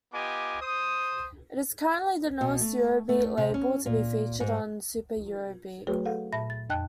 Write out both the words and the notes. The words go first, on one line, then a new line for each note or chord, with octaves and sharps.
It is currently the newest Eurobeat label to be featured on Super Eurobeat.
B3 F4 G4 D#5 G#5 D6
C5 D#6
B2
A3
A3
C3
C#4
A#2
G#2
F#3 A3 F#4 G#4 B4 C#5
A4 F5 F#5
A#2 E5 A5 B5 A#6
A6
F2 D#5 G5 A5 F#6